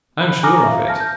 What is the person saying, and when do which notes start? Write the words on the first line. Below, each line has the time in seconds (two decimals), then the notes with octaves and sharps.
"I am sure of it."
0.21 B5 F#6
0.43 G#5 A#5 D6 D#6 F6 A#6
0.64 E5 F5
0.88 A5 F6 A#6
1.00 G6